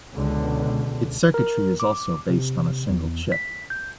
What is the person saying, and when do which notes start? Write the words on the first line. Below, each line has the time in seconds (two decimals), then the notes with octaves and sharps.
Its circuitry is also based on a single chip.
0.14 C#2 B2 D3
1.34 A#4
1.80 D6
2.29 C3
2.89 E2
3.32 B6
3.70 G6